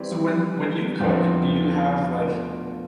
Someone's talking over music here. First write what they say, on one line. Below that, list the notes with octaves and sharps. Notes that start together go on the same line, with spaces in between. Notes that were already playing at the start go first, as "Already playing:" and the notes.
So when when you cook, do you have, like,
Already playing: E3 G3 C4 G4
E2 D3 F3 C4 F4
B2 A3 D4 F4